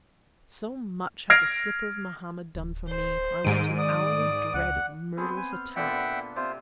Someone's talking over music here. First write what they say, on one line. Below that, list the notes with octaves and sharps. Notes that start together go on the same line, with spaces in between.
So much had the slipper of Mohammed done for me: I went in hourly dread of murderous attack!
F6 G#6 A#6 C7 D7
D1
C5
G#2 D#3 D7 D#7
D5 D#6
C#2 F#5
B3 C4 G#4 A4 C5
G#5
F6
A#2 D3 B3 E5 F#5 G5
C3 F4 C5